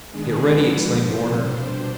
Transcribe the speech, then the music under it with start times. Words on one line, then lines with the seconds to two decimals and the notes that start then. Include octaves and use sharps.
"Get ready!" exclaimed Warner.
0.10 D#3 G#3 B3 D4 G#4
0.53 D3 F3 G#3 B3 B4
0.95 C3 F3 B3 C5
1.38 B2 G3 D4